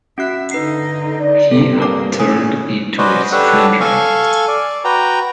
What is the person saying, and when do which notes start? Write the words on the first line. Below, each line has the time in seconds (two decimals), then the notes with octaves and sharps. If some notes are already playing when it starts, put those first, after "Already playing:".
He had turned into a stranger.
0.18 C#4 F#4 E5 F#6
0.51 D3 D#4 B4 C7
1.20 D5
1.51 G2 A#3 C4 A4
1.80 A#3 A#4 D6
2.20 G#2 E3 C#4 A4 G#5 D#6
2.98 C#4 F#4 B4 C5 D5 D#5
3.32 D4 G4 A4 B4 C#5 F#5
3.80 A4 F5 G#5 C#6
4.48 D5
4.85 F#4 B4 G5 A#5